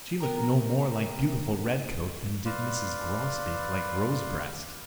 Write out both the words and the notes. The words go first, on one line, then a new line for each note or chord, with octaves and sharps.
She looked no more like beautiful Redcoat than did Mrs. Grosbeak like Rosebreast.
B3 A#4 G5 A#5
B4 D5 F5 C6